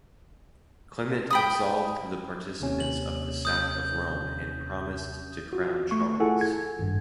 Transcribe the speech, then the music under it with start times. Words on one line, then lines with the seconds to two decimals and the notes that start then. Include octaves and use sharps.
Clement absolved the participants of the sack of Rome and promised to crown Charles.
1.30 G5 B5 D#6
2.60 D#2 C3 C#4
2.80 F#7
3.45 D#6 G6
5.53 F4 F#4
5.91 A3 C#6
6.20 E4 F4 G#4 A4 F#5 G#5
6.41 G#6
6.79 G#1 G2